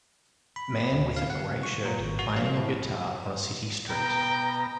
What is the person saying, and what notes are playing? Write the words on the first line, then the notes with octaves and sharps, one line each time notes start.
Man with a gray shirt playing a guitar on a city street.
B5
D2
F5
F#5
C#6
A#2
G#1
F#4
F5
A2
B2 G5 A#5